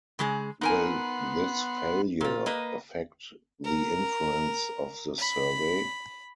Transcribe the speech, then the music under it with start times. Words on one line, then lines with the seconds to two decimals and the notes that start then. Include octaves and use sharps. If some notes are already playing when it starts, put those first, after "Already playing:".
Will this failure affect the influence of the survey?
0.19 C#3 G#3 G#4
0.61 B3 D#4 A#4 F#5 G#5 C6
2.21 A#2 F4
2.46 A#3 B4 D#5
3.64 A#4
5.18 B5